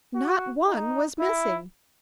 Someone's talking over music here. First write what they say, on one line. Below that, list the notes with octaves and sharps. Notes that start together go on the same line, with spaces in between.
Not one was missing.
F#4
D#4
E4